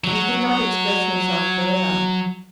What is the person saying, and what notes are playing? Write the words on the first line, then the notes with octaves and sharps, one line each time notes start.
But he could not express himself further.
F#3 F#4